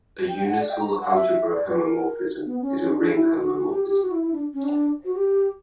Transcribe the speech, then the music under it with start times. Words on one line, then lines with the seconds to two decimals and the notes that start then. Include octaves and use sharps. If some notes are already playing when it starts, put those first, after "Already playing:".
A unital algebra homomorphism is a ring homomorphism.
0.29 G5
0.45 F#5
0.59 D5
0.70 G5
0.80 A#5
1.01 F#5
1.12 E5
1.53 D5
1.69 B4
1.84 A#4
2.45 B3
2.62 C#4
2.77 C#4
2.93 D4
3.08 E4
3.39 F#4
3.55 F#4
3.70 G4
3.86 G4
4.01 F#4
4.11 E4
4.22 E4
4.32 D4
4.54 C#4
4.63 D4
5.04 F#4
5.15 G4